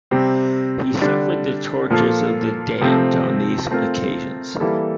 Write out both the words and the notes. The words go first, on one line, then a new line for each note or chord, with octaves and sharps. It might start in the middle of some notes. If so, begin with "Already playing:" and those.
He suffered the tortures of the damned on these occasions.
C3 G3 C4 G4
D3 G3 D4
A#2 F3 A#3 F4 A4
C3 F3 A3 C4
A3 C4 F4 A#4
E3 G3 A#3 E4 A4